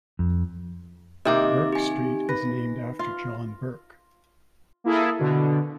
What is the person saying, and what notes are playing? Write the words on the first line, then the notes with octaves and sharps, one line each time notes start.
Bourke Street is named after John Bourke.
F2
C3 D#3 A#3 D#5 E5 D6
G4 G#5
B4 A#6
F4
A#3 E4 G#4 A4
B2 D3